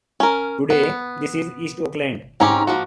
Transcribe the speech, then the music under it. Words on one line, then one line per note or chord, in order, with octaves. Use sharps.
Today this is East Oakland.
C#4 A#4
B3
G#2 C4 C#4 G4 A#5
F3 A#3 F#4